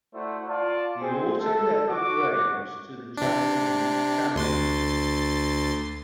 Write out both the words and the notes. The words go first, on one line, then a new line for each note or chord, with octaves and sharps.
He also led the Braves to the Japanese championship.
A3 E4 F#4 C5 D5 F#5
F4 D5 A5
C4 G#4 C5
A4
F#4 D6
C3 D4
D2 C6 A6